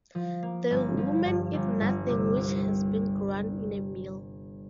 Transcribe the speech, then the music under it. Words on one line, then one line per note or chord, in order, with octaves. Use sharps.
The women eat nothing which has been ground in a mill.
F3
A#3
G1
F3
G2
G1
G1
C3
C2